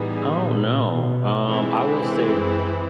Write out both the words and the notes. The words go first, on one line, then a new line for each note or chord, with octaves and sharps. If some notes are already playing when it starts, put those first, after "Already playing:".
I don't know. Um, I will say
Already playing: A2 E3 G3 B3 D#4 G#4
A#2
B2
E3 G#3 C4 E4
C3
F#2